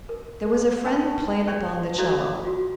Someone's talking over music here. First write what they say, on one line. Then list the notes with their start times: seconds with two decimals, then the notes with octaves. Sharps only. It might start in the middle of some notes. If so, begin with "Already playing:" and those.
There was a friend who played upon the 'cello.
0.09 A#4
0.45 A#4
0.85 D4 B4 E5 G5 A5 C#6
1.47 C#5 D5 G5 C#6
1.98 E4 F#4 A4 C#5 D5 F5
2.45 F4 F#4